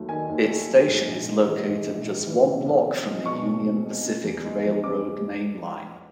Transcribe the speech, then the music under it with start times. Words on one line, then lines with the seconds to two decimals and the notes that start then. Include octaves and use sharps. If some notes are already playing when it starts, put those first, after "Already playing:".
Its station is located just one block from the Union Pacific Railroad mainline.
Already playing: D#2 F#3 A3
0.09 D#3 G#5
0.29 D#2
0.48 A3
0.68 F#3
0.88 G#2
1.08 A#1
1.28 G#3
1.47 E3
1.67 G#2
1.87 A#1
2.07 G#3
2.27 E3
2.46 B2
2.66 B1
2.86 C4
3.06 G#3
3.25 B2 C#6
3.45 B1
3.65 C4
3.85 G#3
4.05 C#3
4.24 E2
4.44 G#3
4.64 F3
4.84 C#3 D6